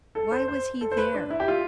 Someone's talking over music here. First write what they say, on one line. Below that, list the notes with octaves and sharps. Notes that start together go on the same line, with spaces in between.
Why was he there?
A4
C5
C5
A4
C5
B4
D4
E4
G4
F4